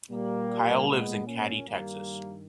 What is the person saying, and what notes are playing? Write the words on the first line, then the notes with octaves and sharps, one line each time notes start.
Kyle lives in Katy, Texas.
A#2 G3 A#3
G#3 B3
A#3 C#4
G2 D#3 G3 A#3